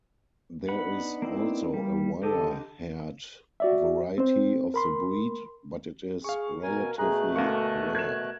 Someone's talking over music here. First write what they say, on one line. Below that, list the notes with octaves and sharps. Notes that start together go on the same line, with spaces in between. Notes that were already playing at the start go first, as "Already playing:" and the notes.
There is also a wire-haired variety of the breed, but it is relatively rare.
B3 D4 D#4 F#5 B5
A#3 C4 E4
E3 G3 A#3
D3 G4 A4 D#5
F#4 D5 E5
C4 C5
A#4 B5 C6
G#4 F5 C#6
B2 A#4 G#5
B2 A3 G#4 A#5 F#6
D2 A#3 A4 F5 C#6
A#4 G#6 E7